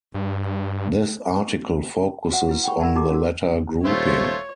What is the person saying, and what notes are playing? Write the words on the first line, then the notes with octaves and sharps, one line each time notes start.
This article focuses on the latter grouping.
G2
F#4 C5 E5 F#5
E4 F#4 B4
F#5 G5 B5 C#6
A#4 D5 E5 F#5 A5 B5
D#4 F#4 G4 A4 A#5 D6
C#4 F#4 A#4
D#1 G3 A3 F4 C5 C#5